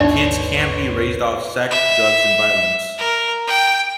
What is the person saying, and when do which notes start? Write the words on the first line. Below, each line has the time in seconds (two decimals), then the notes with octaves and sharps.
Kids can't be raised off sex, drugs and violence.
0.01 A1 D#2 G#2 D4 D#4 B4 C#5 D5
1.71 E5
2.98 A#4
3.47 G5